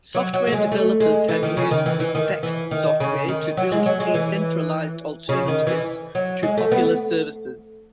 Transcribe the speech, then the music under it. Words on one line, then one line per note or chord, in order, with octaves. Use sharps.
Software developers have used the Stacks software to build decentralized alternatives to popular services.
F#3
F#3
A3
G#3
A3
G#3
E3
D#3
C#3
D#3
E3
E3
D#3
E3
D#3
C#3
D#3
F#3
G#3
F#3
G#3
E3
C#3
D#3
E3
F#3
G#3
A3
B3